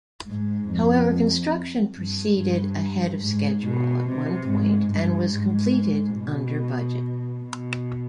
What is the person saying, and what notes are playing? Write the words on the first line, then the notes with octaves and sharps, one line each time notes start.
However, construction proceeded ahead of schedule at one point and was completed under budget.
G#2
F2
G2
G2
G#2
B2
C3
G#2
G2
G#2
B2
B2